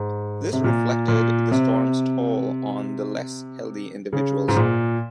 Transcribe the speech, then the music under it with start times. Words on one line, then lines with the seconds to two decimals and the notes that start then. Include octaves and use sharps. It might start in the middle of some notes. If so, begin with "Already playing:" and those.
This reflected the storm's toll on the less healthy individuals.
Already playing: G#2
0.53 C3
0.64 A#2
1.08 A#2
1.51 C3
4.13 C#3
4.48 G#2
4.56 A#2